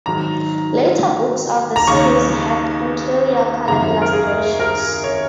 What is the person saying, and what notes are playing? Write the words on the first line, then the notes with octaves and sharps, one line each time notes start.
Later books of the series had interior color illustrations.
G#2 D#3 F#3 A#5
A#5
D#2 C#3 A#3 D#4 C#6
G#1 F#2 C#3 A#5
A#4
G#4
A#4
C#5